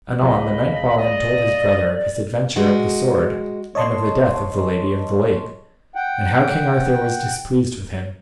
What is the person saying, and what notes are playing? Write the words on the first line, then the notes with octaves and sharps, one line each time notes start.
Anon the knight Balin told his brother of his adventure of the sword, and of the death of the Lady of the Lake, and how King Arthur was displeased with him.
C#2 D#5 B5
D5 D#5
G#3 F#4
C#5 D#5 A5 C6 C#6
F#5 G5